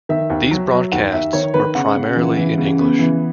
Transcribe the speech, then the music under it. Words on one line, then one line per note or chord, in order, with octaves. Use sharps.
These broadcasts were primarily in English.
D#3 E5
D#2
F#3
F#3
D#2 F#5
D#2 E5
D#3 C#5
D#3 B4
C#3 F#5
C#3
E3
E3
C#3
B3
E3